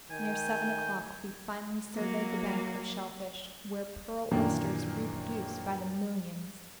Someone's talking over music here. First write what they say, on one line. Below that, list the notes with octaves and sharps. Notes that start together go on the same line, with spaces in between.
Near seven o'clock we finally surveyed the bank of shellfish, where pearl oysters reproduce by the millions.
D#3 G#5 G6
F#3 A#3
F#2 A#2 D#3 E3 A#3 D4